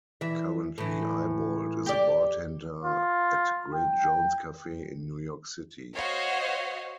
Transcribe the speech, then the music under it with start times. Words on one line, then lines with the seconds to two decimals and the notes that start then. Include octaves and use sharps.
Currently Ibold is a bartender at "Great Jones Cafe" in New York City.
0.21 E3 E5
0.78 A2 E3
1.86 G4 D5
2.85 F4
3.74 G5
5.93 F#4 C5 C#5 D#5 F5